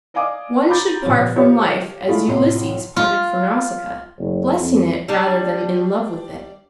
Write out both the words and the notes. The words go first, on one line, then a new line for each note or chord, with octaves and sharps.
One should part from life as Ulysses parted from Nausicaa--blessing it rather than in love with it.
D5 D#5 F5 G#5 D6 D#6
A#5 B5 D6 G6 A6
A#2 C#3 F3 G3 B3 C#4
F4 G4 C5 C#5
D3 G#3 A3 E4 F4
C2 A2 C6
F4
F#1
F2
G3 D4